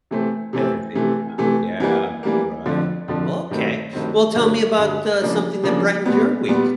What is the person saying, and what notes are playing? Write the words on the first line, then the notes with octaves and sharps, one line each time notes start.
Everything, yeah, yeah, right. Well, okay. Well, tell me about, uh, something that brightened your week.
C3 E3 A3 C4
C3 E3 A3 C4
C3 E3 A3
C3 E3 A3
E3 G3 A#3
E3 G3 A#3
F2 D3 F3
F2 D3 F3
G2 D#3 F#3 A3 C4
G2 D#3 F#3 A3 C4
G2 D3 F#3
G2 D3 F#3
C#3 F3 A#3 D4
C#3 F3 A#3 D4
A#2 G3 B3
A#2 G3 B3